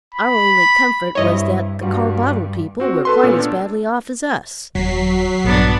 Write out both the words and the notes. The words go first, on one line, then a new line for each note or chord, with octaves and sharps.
Our only comfort was that the Carbottle people were quite as badly off as us.
B5
G2 C3 E4 C#5 D#5
G2 G3 D4 F4 F#4
C4 F#4
A4 B4 C6
A#2 B3 C#4 E6
D4
D#1 F#3 B6 C7
A#1 G2 B3 D4